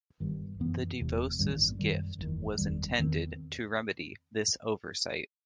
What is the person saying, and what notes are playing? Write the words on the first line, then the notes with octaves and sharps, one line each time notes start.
The DeVoses' gift was intended to remedy this oversight.
G1 G2 D#3
F#2 E3 B3
E1 E2 C3
A1 G2 D#3 G3
F#2 D#3 G3
F#1 E2 D#3
F#1 E2 D#3 G3
E2 D#3 A3 C4